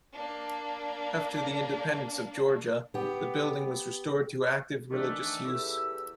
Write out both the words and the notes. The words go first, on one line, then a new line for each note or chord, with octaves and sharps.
After the independence of Georgia, the building was restored to active religious use.
A#3 D4
B3 G4
D#3 E3 A3 D4
E2 E4 G4 A4 E6